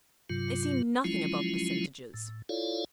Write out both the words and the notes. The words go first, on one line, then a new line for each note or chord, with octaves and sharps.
They see nothing above percentages.'
G2 C3 F#3 F4
F3 F#3 G#3 C#4 E4 F4
A2
E4 F4 A4 C#5 D5 F5